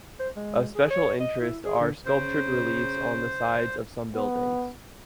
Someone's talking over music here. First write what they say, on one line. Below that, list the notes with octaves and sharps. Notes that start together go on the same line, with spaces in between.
Of special interest are sculptured reliefs on the sides of some buildings.
C5
G#3
G#4
C#5
D#5
E4
G#4
D3
C#3 C5
B3